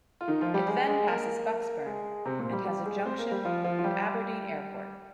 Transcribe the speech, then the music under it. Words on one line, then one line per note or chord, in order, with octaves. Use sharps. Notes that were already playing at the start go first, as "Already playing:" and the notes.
It then passes Bucksburn, and has a junction with Aberdeen Airport.
F4
D#3 D#4
F3 F4
G3 G4
G#3 G#4
G#3 G#4
A#3 A#4
G#3 G#4
C3 C4
A#2 A#3
G3 G4
G3 G4
G#3 G#4
C4 C5
A#3 A#4
G3 G4
F3 F4
F3 F4
F4
G3 G4